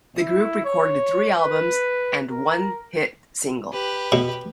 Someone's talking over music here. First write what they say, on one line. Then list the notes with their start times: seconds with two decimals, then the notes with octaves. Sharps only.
The group recorded three albums and one hit single.
0.19 E4
0.65 C#5
1.39 B4
2.31 A#4
3.73 G4 B4
4.12 B2